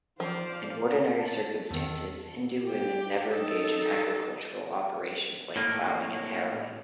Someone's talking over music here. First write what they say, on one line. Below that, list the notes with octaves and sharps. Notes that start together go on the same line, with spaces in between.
In ordinary circumstances Hindu women never engage in agricultural operations like ploughing and harrowing.
F3 C5 D5 F5
A5
E2 D#3 A4
G4
D#4 A4
A2 A#3